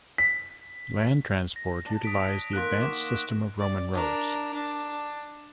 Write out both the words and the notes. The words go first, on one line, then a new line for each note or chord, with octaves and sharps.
Land transport utilized the advanced system of Roman roads.
B6
A#6
D4 A5
D#6 B6 D7
D#3 A#3 C6 F#6
F#4 C6 D6
D5
D4 A#4
D4